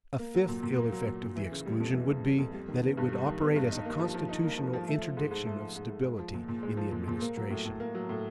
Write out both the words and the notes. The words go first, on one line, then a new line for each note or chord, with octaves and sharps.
A fifth ill effect of the exclusion would be, that it would operate as a constitutional interdiction of stability in the administration.
A#3
F#3
A#2
A#2
A#3
F#3
A#2
A#2
E3
C#3
G3
F2
E3
C#3
G3
F2
G3
D#3
B3
G2
G3
D#3
B3
G2
D#4
A#3
F3
F3
D#4
A#3
F3
F3
A3
F3
G#2
G#2
A3
F3
G#2
G#2
G#3
F3
A#2
A#2
G#3
F3
A#2
A#2
A#3
F#3
A2
A2
A#3
F#3
A2